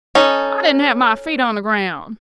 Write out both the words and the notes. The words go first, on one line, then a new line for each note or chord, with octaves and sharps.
I didn't have my feet on the ground.
C#4 D#4 A4